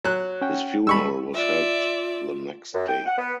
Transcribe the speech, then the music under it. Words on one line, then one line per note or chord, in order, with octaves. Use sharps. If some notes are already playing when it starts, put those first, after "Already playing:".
His funeral was held the next day.
F#3 F#6
C#4 F#5 G5
G3 G#3 A5 B5 C#6 E6
F4 D5 E5
F#2
G5
F#5
B3